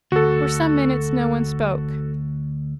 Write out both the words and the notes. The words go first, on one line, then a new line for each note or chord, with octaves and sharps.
For some minutes no one spoke.
D2 F#4 A4